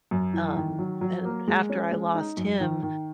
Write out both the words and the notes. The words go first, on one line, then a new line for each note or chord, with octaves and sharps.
Um, and after I lost him,
F#2
E3
D#3
F#3
F#3
A#3
G#3
C#4
G#3
D#4
F#2
D#3
D#3